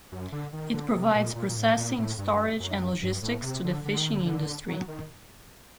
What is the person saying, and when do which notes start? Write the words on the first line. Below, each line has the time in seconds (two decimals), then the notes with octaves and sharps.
It provides processing, storage, and logistics to the fishing industry.
0.12 F#2
0.32 D3
0.53 D#3
0.73 D3
0.94 C3
1.15 A#2
1.35 A#2
1.49 A#2
1.57 A2
1.78 A#2
1.99 A2
2.18 G2
2.60 F#2
3.02 G2
3.22 A2
3.43 C3
3.64 D3
3.85 D3
3.97 D#3
4.11 D3
4.25 D3
4.68 F#3
4.88 D#3